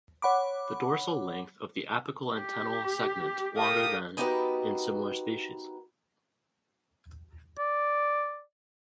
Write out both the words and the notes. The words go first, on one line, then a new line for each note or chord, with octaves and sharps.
The dorsal length of the apical antennal segment longer than in similar species.
C#5 F#5 B5 D6
G4
G4 A4 A#4 F5 G5 D#6
B3 D#4 F#4 G4 A#4 B4
D5